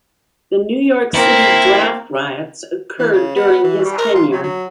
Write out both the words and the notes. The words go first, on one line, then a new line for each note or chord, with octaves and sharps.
The New York City draft riots occurred during his tenure.
A#3 C4 E4
E3
C#3
B3
E3
G3
A#4
F4
F#3
F#3